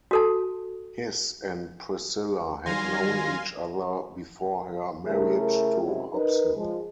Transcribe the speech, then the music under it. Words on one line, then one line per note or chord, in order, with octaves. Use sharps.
Hiss and Priscilla had known each other before her marriage to Hobson.
F#4 A4 A5
D#3 F#3 G3 F5 G#5 C6 A#6
C#3 A3 E4 G#4 A#4
F#2 C3 F#3 G#3 E4
D#4 A#4 B4
F3 G#3